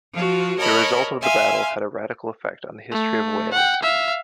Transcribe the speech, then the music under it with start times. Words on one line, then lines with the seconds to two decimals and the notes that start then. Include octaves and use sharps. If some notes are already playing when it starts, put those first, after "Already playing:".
The result of the battle had a radical effect on the history of Wales.
0.13 F3 F4 F#4
0.58 A#4 C#5 D#5 A5 B5
1.22 E5 F5 G#5 C6
2.92 A3
3.53 F#5 G5
3.82 E5 F5